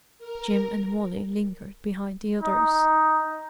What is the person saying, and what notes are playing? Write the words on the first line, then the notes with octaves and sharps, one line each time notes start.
Jim and Wally lingered behind the others.
A#4
D#4